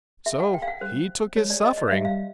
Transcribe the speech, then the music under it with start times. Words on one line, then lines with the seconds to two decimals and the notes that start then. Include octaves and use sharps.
So 'he took his suffering.'
0.26 E5
0.40 F#5
0.54 G5
0.62 F5
0.68 F#5
0.81 G3 C5
1.36 G#3 C#5
1.50 D5
1.64 D#5
1.78 D#5
1.88 F5
1.91 G3 E5
2.05 F5